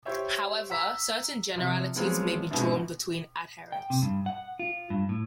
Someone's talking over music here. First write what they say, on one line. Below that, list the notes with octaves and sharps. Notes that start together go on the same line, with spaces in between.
However, certain generalities may be drawn between adherents.
G4 C5 C#5 E5
F#5 A#5 E6 B6
C3 F3
F3 F#3 G#3 B3 C4
G#2 B2 B3 C4 D4 E4
G5
C3
G2
F#5
F4
G2
A2